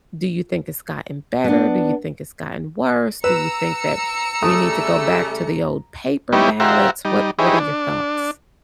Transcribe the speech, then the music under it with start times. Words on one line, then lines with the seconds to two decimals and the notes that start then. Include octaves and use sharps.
Do you think it's gotten better, do you think it's gotten worse, do you think that we need to go back to the old paper ballots? What what are your thoughts?
1.44 B3 D4
3.24 B4 A#5 E6 C#7
4.43 C#3 G3 A3 D#6
6.33 G3 B3 D#4 E4 G4 C#5
6.60 F4 G4 C5 E5 F#5 A#5
7.05 G3 D#4
7.39 D#4 E4 G4 G#4 B4 C#5
7.60 D4